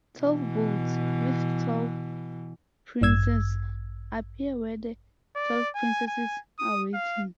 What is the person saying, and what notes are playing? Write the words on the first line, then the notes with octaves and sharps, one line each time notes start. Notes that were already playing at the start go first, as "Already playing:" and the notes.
Twelve boats, with twelve princes, appear where the twelve princesses are waiting.
B2 E3
A1 G2 E6 G#6
D5
G#5
G#5
D#6
F5